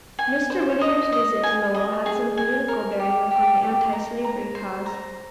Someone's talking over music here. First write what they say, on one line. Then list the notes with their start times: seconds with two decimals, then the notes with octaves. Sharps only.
Mr. Whittier's visit to Lowell had some political bearing upon the antislavery cause.
0.19 G#5
0.50 C5
0.81 D#5
1.12 D#5
1.43 G#5
1.74 D#5
2.06 G#4
2.38 G#5
2.68 A#4
2.99 G4
3.31 G4
3.62 G4
3.93 A#5
4.24 A#5
4.55 C5
4.86 A#5